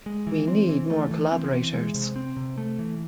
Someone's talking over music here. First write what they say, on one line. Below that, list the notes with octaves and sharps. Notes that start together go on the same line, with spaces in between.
We need more collaborators.
G#3
E3
C4
E3
A3
E3
C4
E3
G#3
C3
C4
C3
A3
E3